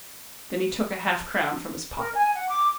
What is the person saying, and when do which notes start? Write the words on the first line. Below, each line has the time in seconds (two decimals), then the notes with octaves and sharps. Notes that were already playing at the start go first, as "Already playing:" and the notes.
Then he took a half-crown from his pocket.
1.98 A#4
2.15 G#5
2.34 F#5
2.49 D6